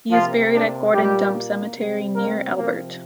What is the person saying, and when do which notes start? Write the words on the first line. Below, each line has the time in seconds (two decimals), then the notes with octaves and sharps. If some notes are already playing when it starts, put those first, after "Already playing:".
He is buried at Gordon Dump Cemetery, near Albert.
0.11 C3 F3 A#3 F4
0.53 D4
0.92 A#2 G3 A#3 G4
1.75 C3 G3 C4
2.16 A#3 A#4
2.56 C3 F3 A#3 C4 A#4